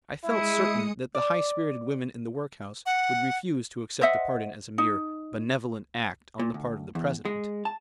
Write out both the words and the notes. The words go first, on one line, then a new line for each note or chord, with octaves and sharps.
I felt certain that the high-spirited women in the workhouse would refuse to accept the pardon as a mere "benevolent" act on the part of the President.
G#3 E4 D#6 C#7
D5
F#5
C5 D#5 E5 F#5
D#4
A#2
D2
E2
G#3
A5